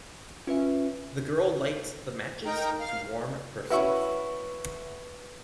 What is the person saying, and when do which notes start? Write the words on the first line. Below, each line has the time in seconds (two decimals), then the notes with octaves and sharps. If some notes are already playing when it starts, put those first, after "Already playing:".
The girl lights the matches to warm herself.
0.47 C#4 F4 B4 E5
2.46 D#4 A#4 G5 A#5
2.80 F5 F6
3.70 C#4 E4 F#4 B4 C#6